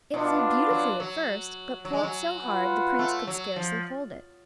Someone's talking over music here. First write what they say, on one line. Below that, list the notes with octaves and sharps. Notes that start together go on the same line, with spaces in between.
It flew beautifully at first, but pulled so hard the Prince could scarcely hold it.
B2 B3 D4 F4
F#3
F#3
F#3
G#3
F#3
F4 B4 F#5
A3
F#3
F3